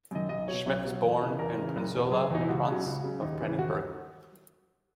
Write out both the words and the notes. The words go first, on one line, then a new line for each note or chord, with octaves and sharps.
Schmidt was born in Prenzlau, Province of Brandenburg.
F#2 D#3 D#5
B1 D#5
B2 F#3 C#5
B1 C#5
B2 F#3
E2
C#3 E3
E2 A#4
C#3 E3
F#1
E2 B2
F#1 G#4
E2 B2 D#4
E4
C#2 F#4
C#3 F#3
C#2
C#3 F#3
D#2 D#4
C#3 E3
D#2 F#4